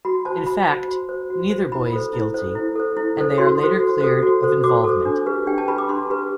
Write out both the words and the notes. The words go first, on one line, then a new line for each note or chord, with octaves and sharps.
In fact, neither boy is guilty, and they are later cleared of involvement.
F#4 B5
C5 A5
F#4 B5
C5
F#4
C5
F#4
C5
E4 B5
A4 C5
E4
A4 C5
E4
A4 C5
E4
A4 C5
F#4 C6
A4 C5
F#4
A4 C5
F#4
A4 C5
F#4 D6
A4 C5
D4
G4 B4
D4 G5
A5
G4 B4 B5
D6
D4 C6
G4 B4